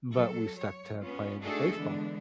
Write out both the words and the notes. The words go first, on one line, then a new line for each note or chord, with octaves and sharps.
but we stuck to playing baseball,
F#3 A4
C#5
B3 C#4 F4
A3 D4 D#4 F#4 G#4 A4
D3 E3 G#3 B3 D4